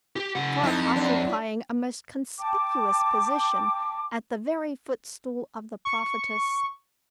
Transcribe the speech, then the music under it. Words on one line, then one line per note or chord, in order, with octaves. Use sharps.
Sharp occupying a most conspicuous position at the very footstool of the Prophetess.
G4
C#3 F#5
F2 D#4 E4
F#2 D4
G5 A5 D6
C#6